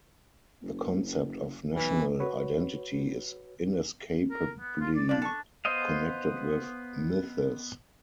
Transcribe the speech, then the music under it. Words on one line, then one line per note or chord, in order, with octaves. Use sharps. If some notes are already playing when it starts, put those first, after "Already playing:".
The concept of national identity is inescapably connected with myths.
F#1
B1 E3
F#4 B4 C#5
A#4
B3
F4
D5
F3 D4 D5
A4 C#6
B3 C5 D#5 F5